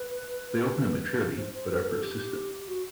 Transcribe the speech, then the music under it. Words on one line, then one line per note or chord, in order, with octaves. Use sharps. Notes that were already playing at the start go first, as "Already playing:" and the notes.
They open at maturity but are persistent.
Already playing: B4
C5
C5
B4
A4
G4
F#4